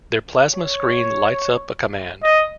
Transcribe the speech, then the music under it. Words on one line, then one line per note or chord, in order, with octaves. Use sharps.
Their plasma screen lights up a command.
C#5
D#5